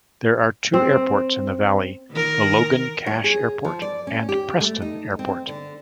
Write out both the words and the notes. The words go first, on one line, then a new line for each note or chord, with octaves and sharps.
There are two airports in the valley, the Logan-Cache Airport and Preston Airport.
C4
D#3 A#4
C#5
G#4
F3
D5
C#4
G4
A3
D#4
C4
D3